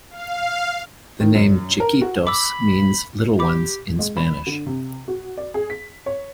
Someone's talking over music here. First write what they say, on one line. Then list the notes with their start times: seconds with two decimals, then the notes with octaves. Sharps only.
The name Chiquitos means "little ones" in Spanish.
0.10 F5
1.20 D#3
1.35 F#2
1.80 A#4
2.01 F#4
2.27 B5 D6 E6
3.39 G4 B5 D6
3.99 G#3
4.17 B5
4.47 D3
4.66 C3
5.08 F#4
5.37 D5
5.54 G#4
5.70 B6
6.06 C#5